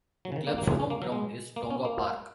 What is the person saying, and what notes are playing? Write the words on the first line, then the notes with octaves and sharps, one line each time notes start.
The club's home ground is Tonga Park.
F#3
C#3
D#3
A#3
A#3
F#3
G#3
C#4
A#3
F#3
G#3
A#3
C#4
A#3